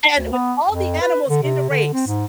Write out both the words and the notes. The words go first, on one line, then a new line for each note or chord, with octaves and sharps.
and with all the animals in the race,
D2
B3
F2
B4
D3
C3
D3
C4
G#2